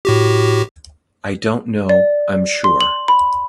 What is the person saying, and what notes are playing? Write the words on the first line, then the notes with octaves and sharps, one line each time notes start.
I don't know, I'm sure.
A2 F#4 G4
D5
C6
F#7
B5